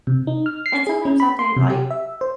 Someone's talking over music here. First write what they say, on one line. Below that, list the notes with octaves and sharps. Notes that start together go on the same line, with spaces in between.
And sometimes I think like,
C3
D#4
F6
C7
G#4
C#4
B5
C6
C3
G4
E5
C5